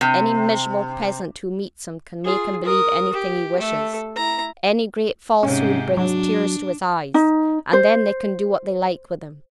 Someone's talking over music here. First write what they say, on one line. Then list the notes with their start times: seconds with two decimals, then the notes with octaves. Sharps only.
Any miserable peasant who meets him can make him believe anything he wishes. Any great falsehood brings tears to his eyes, and then they can do what they like with him.
0.01 C3
2.24 F4 G#4
2.64 A#4 D#6
3.13 G4
3.59 A3 A4
4.16 E4 A#5
5.43 G#2 C3 C#4
5.97 F#3 D4
7.14 D#4
7.73 C5